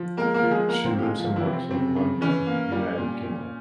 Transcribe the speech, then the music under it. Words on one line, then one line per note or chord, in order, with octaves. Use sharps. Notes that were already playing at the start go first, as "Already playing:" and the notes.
She lives and works in London, United Kingdom.
Already playing: F3
G#3 A#3 A#4
A#3 A#4
F3
G#3 G#4
A#3 A#4
A#4
C4 C5
A#3 G4
G#3 G#4
F3 F4
E3 E4
C3
C4
C#3 C4
C#3
E3 C#4
A#3
G3
A#2
A#2